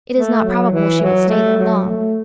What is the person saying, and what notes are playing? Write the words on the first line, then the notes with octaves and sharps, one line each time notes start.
It is not probable she will stay there long.
A3
F#3
E3
F#3
A3
F#3
A3